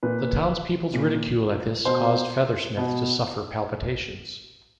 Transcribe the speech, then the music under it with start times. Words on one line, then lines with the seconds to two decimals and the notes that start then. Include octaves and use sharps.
The townspeople's ridicule at this causes Feathersmith to suffer palpitations.
0.03 A#2 B4
0.94 A#2
1.85 B2 C5
2.77 B2